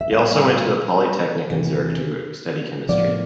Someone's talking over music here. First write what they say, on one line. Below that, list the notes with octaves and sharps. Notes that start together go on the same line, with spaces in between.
He also went to the Polytechnic in Zurich to study chemistry.
E5
A2 G3 B3 F5
F5
E2 C3 E3 A3
A2 F3 B3 D5